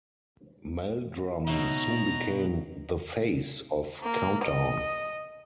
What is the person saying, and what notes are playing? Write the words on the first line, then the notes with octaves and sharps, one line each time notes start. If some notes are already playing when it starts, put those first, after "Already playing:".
Meldrum soon became the "face" of "Countdown".
B2 D#4 C#5 E5 A#5
A#3
D#5